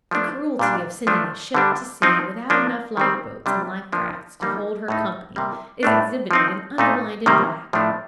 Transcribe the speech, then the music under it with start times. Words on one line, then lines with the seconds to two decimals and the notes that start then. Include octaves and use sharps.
The cruelty of sending a ship to sea without enough life-boats and life-rafts to hold her company is exhibited and underlined in black.
0.11 F3 A3 D4
0.59 A#2 G3 D4
1.07 F3 A3 D4
1.55 D3 G3 D4
2.02 F3 C4 D#4
2.50 F3 A#3 D4
2.97 D#3 G3 C4
3.46 C3 G3 D4
3.92 F3 A#3 D4
4.40 D3 G3 A#3 D#4
4.88 A2 A3 D#4
5.36 C3 G3 A#3
5.83 A2 A3 D4
6.31 F3 C4 D#4
6.78 A#2 A3 D#4
7.26 C3 D#3 G3 A#3
7.73 A2 F3 A3 D4